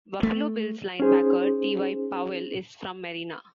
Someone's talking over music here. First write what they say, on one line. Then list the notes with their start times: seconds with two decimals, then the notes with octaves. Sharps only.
Buffalo Bills linebacker Ty Powell is from Marina.
0.23 A3
1.00 C#4 D#4 G#4 C5